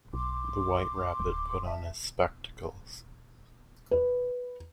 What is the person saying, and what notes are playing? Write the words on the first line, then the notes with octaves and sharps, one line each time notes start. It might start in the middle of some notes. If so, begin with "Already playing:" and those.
The White Rabbit put on his spectacles.
B1 C6 D6
D1
E5 A5
B4